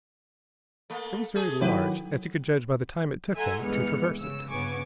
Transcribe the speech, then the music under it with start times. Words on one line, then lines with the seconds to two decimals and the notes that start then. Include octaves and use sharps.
It was very large, as he could judge by the time it took him to traverse it.
0.90 A3 A#3
1.35 A3 G#4
1.61 D#3 F#3 E4 G4 B4
3.35 A4 E5 F#5 G#5 A#5 C6
3.63 G2 E3 G#3 B3 F6 C#7
4.20 C#3 E6
4.50 G1 C#3 B3 G#5 C#6 D6